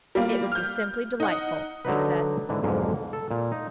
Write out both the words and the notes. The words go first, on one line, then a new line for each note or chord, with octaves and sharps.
"It would be simply delightful," he said.
G3 A#3 F4
F6 G6
D#4 F#5
D3 F#3 D#4 B4
G#2 D3 E3
B1 F2 G#2 D3 A#3
A4
A#2
D#4